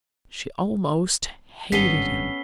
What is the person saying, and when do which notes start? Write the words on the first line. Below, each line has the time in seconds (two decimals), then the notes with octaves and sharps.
She almost hated him.
1.72 G#1 G2 B3 C#4 A4 B6 C7 G7